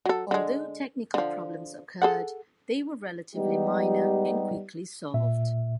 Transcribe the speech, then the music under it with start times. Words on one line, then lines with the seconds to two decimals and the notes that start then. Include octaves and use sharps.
Although technical problems occurred, they were relatively minor and quickly solved.
0.06 F#3 A4
0.31 D3 G#3
1.14 D3 F3
2.02 G#4 A4 F#5
3.35 G3 G#3 B3 D#4 G4
5.14 A#2 E5